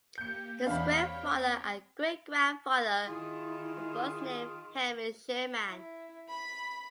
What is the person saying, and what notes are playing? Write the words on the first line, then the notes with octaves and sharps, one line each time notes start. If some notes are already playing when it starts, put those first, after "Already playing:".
His grandfather and great grandfather were both named Henry Sherman.
A#3 G4 G6 C#7
E2 C4 D4 C#5 F5 G5 B5
D#3 E4 F4 G#4
E4
B5